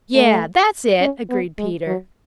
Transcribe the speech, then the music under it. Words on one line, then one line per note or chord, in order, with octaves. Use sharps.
"Yes, that's it," agreed Peter.
A3
C#4
B3
G#3
F#3